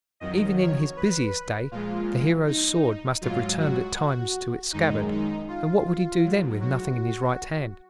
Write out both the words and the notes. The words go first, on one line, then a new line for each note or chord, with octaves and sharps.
Even in his busiest day the hero's sword must have returned at times to its scabbard, and what would he do then with nothing in his right hand?
F2 D#3 F#3 D#5
C#5
B4
A#2 F3 G#3 F4
D#4
G#2 F#3 F4
F#4
F#2 D#3 G#3 D#4
D#4
F4
G#2 F#3
F#4